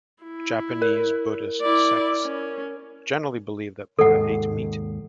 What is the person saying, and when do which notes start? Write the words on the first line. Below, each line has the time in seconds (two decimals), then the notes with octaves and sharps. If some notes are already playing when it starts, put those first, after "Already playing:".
Japanese Buddhist sects generally believe that Buddha ate meat.
0.23 E4
0.82 A#4
1.62 E4 D5
2.22 C#4
3.99 D#2 G#2 A4 F#5